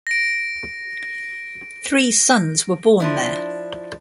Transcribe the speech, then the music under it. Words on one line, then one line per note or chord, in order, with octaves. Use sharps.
Three sons were born there.
A#6 D7
F3 D4 E4